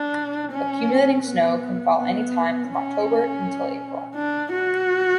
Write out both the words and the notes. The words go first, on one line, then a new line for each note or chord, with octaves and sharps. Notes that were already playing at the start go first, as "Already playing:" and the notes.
Accumulating snow can fall any time from October until April.
Already playing: D4
C#4
B3
B3
C#4
D4
F#4